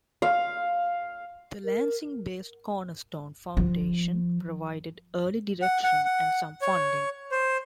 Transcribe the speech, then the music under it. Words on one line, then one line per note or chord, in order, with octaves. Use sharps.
The Lansing-based Cornerstone Foundation provided early direction and some funding.
F5
A#4
F3
F#5
F#5
F#5
C#5
C5